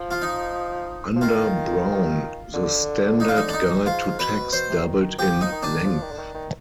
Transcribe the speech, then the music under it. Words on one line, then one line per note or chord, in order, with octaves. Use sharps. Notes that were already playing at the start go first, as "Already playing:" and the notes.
Under Brown the standard guide to tax doubled in length.
Already playing: F3
F4
D#4
F3
D#3 F4
D3
D#4
F4
D#4
D4
D#4
G#2 F4
B2 B4
B2 C5
C3
D#3
D#3
F3 G4
D#4
D#3
D4
F3
D#3
D3
D#3
D#3